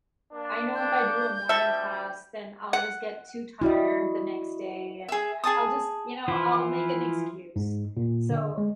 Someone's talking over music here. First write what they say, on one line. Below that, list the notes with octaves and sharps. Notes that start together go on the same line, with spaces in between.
I know if I do a morning class, then I'll just get too tired the next day and I'll just, you know, I'll make an excuse, so,
A#3 D4
G6
D2 G3 A4 E5
F#5
E4 F#4 D5 D#5
G#4 E5
G#4 G#5 A5 D#6
E3 F3 E4 F4
G#2
A#2
D3
G#3